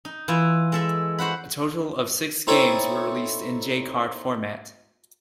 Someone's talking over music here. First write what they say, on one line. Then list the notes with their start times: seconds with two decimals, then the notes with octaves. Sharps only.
A total of six games were released in J-Cart format.
0.05 D#4
0.28 E3 E4 F4
0.72 G#3 A4 E5
1.18 F#4 C5 F#5 B5
2.47 C4 D#4 E4 A4 C#5